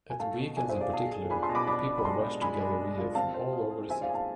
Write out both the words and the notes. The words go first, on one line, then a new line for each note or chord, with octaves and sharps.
At weekends in particular, people rushed to Galleria from all over the city.
G#5
A3 F5 A5
B2
D4 E5 G#5
C5 E5
G#4
D5 F5
G#4 F5 A5
G#4
D4 G#5 B5
A5 C6
B2
B5 D6
D4 B5 D6
D4
B5
G#3 A5 C6
G#3
G#3 G#5 B5
D4
G#3
F4
C4 F5 A5
C5
G#4
G#4
C5 E5 G#5
D5 F5
G#4 G#5
F5 A5